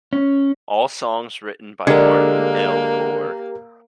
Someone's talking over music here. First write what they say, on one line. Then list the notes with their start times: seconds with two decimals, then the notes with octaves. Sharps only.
All songs written by Martin L. Gore.
0.13 C#4
1.87 D3 G#3 A#3 G4 A#4